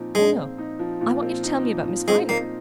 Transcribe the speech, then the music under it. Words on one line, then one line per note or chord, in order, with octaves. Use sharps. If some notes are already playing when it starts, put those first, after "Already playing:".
"Oh, no. I want you to tell me about Miss Viner."
Already playing: A#2 F3 C4 D#4
A#2 G#3
C4
D#4
F3
A#2
C4
D#4
F3
A#2
G#3 C4
A#3 D#4